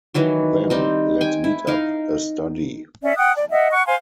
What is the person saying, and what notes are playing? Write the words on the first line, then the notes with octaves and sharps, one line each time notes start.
Then let's beat up a study.
D#3 E3 F#3 F#4
G3 C4 D#4
G5 G#5
E4
D#4 A#4 F5
C#4 D5 E5
F#5 G5 D#6 F#6
D5
D#5 E5 F#5
F#5 C#6 F#6
C5 F5 G#5 C6